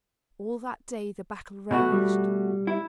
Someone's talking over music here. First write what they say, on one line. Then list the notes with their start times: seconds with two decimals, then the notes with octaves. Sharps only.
All that day the battle raged.
1.71 B2 A3 F#4
1.92 G3
2.67 E4